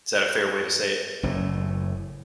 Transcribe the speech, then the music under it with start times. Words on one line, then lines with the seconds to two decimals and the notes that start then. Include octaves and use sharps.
Is that a fair way to say it?
1.23 F#1 A2